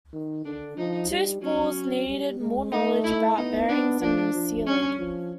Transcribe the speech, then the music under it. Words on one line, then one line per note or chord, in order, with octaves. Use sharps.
Two spools needed more knowledge about bearings and sealing.
D#3
D3 D4
F3 D#4
G3
F#3 C#4
G3
G#3
A3 D#4
E4
B3 D#4
B3 D4
F3 D4
F3
C#4
F3